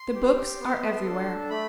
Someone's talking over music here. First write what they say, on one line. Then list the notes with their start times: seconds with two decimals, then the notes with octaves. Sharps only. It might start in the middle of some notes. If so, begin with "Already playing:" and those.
The books are everywhere.
Already playing: C6
0.15 G4
0.61 B3
1.05 D4 A4
1.50 A3 B5